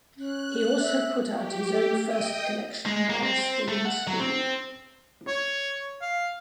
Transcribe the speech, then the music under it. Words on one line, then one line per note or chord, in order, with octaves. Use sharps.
He also put out his own first collection while still in school.
C#4 F#6
E5
G4 C#6
A4
D#5 E5 G5 D#6
G#3
A#3
C4
A3
F#5
F#3
C4
C#5
F5